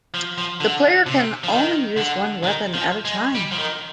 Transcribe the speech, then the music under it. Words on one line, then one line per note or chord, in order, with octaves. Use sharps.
The player can only use one weapon at a time.
F3
F3
D3
C3
F3
D#3
D3
D#3
F3
G#3
G3
F3
D#3